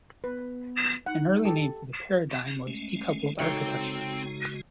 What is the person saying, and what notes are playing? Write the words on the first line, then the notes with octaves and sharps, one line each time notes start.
An early name for the paradigm was "decoupled architecture".
B3 B4
D#4 F#5
G4 A4
G#3 A3 C#4
C#3 G#3 C4 D#4 F#4 A4 C#5 G5